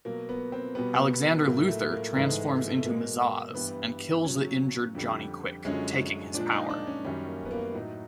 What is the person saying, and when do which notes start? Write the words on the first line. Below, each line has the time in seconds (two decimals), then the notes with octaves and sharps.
Alexander Luthor transforms into Mazahs and kills the injured Johnny Quick, taking his power.
0.05 B2 F#3 A#3
0.29 B3
0.52 C4
0.75 B2 G3 B3
1.45 A2 F#3 A#3
1.68 A3
1.92 A#3
2.15 G#2 E3 G#3 A3
2.75 A3
2.85 B2 G#3 A#3
3.54 G2 E3 G3 B3
4.25 A#2 F#3 C#4
4.95 F2 D3 G3
5.65 F#2 D3 F3 G#3 C#4
6.34 A#2 F3 G#3 D4
6.52 D#4
6.69 D4
6.87 C#4
7.05 F#2 D#3 G3 C#4
7.28 A#3
7.45 B3
7.51 A#3
7.74 A2 F#3 D#4